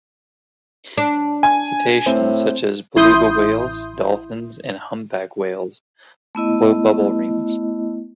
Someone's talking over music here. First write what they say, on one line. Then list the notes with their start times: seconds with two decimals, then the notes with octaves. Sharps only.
Cetaceans, such as beluga whales, dolphins and humpback whales, blow bubble rings.
0.98 D4
1.43 G#5
2.06 A2 C4
2.96 A1 E4 C6 D#6 G6
6.35 A3 B3 E4 D#5